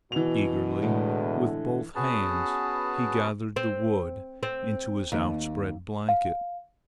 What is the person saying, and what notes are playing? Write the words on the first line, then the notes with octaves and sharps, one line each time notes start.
Eagerly with both hands he gathered the wood into his outspread blanket.
B2 E3 F#4 F7
E2 A2 D3 G#3
B3 C#4 F#4 G#4 B4 A5
C4
C4
D#2
F5